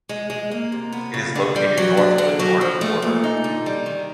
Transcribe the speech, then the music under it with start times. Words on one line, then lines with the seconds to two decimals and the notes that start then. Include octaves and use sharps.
It is located north of the Jordan border.
0.09 G#3
0.30 G#3
0.51 A#3
0.72 C3
0.92 B3
1.14 C#3
1.35 D3
1.56 G3
1.77 F#3
1.97 D4
2.18 D3
2.39 F#3
2.61 F3
2.81 A3
3.02 A#2
3.24 D#4
3.44 D3
3.66 G3
3.86 D#3